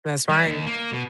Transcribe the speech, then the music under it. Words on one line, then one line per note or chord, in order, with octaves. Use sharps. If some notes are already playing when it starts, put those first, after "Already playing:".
That's right.
G3
D#2
A#3
B2